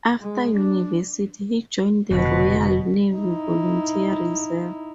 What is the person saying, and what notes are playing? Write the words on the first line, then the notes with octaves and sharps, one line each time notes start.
After university he joined the Royal Navy Volunteer Reserve.
G#3
D4
F1 B2 D3
D#4 E4